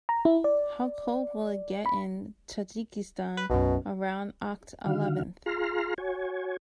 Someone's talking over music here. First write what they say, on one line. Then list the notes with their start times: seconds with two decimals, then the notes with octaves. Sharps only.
How cold will it get in Tajikistan around oct. eleventh?
0.09 A#5
0.25 E4
0.44 D5
1.86 B5
3.37 B4
3.50 B1 F#2 B2
4.86 D3 D#3 F#4 F5
5.46 F4 G#4 A#5 C6 F6
5.98 F#4 C#5 G#5